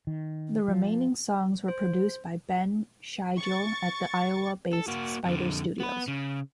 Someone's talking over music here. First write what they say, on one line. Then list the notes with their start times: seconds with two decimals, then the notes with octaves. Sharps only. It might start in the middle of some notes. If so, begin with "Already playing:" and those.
The remaining songs were produced by Ben Schigel at the Ohio-based Spider Studios.
0.07 D#3
0.68 F3
1.68 C5
3.38 C#6 A6
4.73 A4
4.88 A#3 F#4
5.26 F2 D3
5.80 B3 B4
6.08 C#3